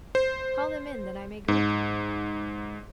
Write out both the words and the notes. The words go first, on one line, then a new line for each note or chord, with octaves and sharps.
"Call them in, that I may greet them."
C5
G#2